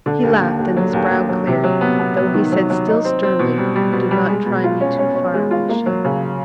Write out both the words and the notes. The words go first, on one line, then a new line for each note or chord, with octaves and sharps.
He laughed and his brow cleared, though he said still sternly, "Do not try me too far, Alicia."
D3
D#2
D#2
D#2
F#3
D#2
D#2
F#3
C3
F#3
B3
B3
B3
D#3
F#3
F#3
D#4
C4
C4
B2
G3
G3
B2
G3
G#3
B2
F4
C#4
C#4
C#4
G#3
F4
A#3
F#3
C#3